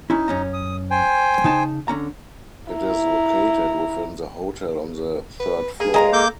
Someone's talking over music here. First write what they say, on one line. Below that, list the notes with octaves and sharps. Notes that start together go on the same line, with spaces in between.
It is located within the hotel on the third floor.
C#4 D#4 E4
F#2 C#4 A#5
D#6
C5 G5 G#5
C#3 D#4 A5
D3 C#4 A#5
E4 A#5
B4
A#3 G#4
G#3 F5 G#5 A#5
A#3 A4 D6 G6